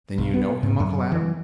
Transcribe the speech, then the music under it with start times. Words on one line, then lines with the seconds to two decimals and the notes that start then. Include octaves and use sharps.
Then you know him, Uncle Adam?
0.18 B1
0.34 B3
0.63 G#2
0.80 F#2
1.12 E3